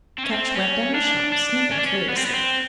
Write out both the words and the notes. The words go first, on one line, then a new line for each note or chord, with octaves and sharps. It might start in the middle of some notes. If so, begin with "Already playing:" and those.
Ketch went down the shop, sniffing curiously.
C4
C#4
C4
C#4
D4
D4
C#4
D4
C#4
B3
C4
B3
C4